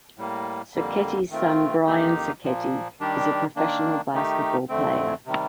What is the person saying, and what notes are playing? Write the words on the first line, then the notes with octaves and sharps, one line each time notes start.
Sacchetti's son, Brian Sacchetti, is a professional basketball player.
A2 G3 A#3
F2 D3 G3 A#3
D#3 A3 C4 F4
F2 D#3 A#3 D#4 G4
A#2 F3 A#3
D#3 G3 D4 G4
D#3 A#3 D4
D#3 A3 D#4 G4
F2 D3 A3 C4
C3 D#3 G3